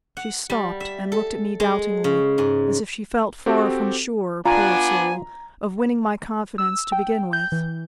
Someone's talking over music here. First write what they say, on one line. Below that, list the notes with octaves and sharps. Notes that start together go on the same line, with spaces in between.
She stopped, and looked at me doubtingly, as if she felt far from sure, poor soul, of winning my confidence to begin with.
F#5
G3
E5
A4
G#3
C#3
G#2
C4 F#4 G4 A4
B3 D4 F4 G#5 A#5
E6
G5
G6
E3